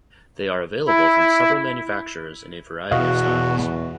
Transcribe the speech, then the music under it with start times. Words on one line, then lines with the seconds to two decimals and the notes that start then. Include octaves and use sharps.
They are available from several manufacturers in a variety of styles.
0.87 E4
2.91 E2 B2 F#4 D#5 F5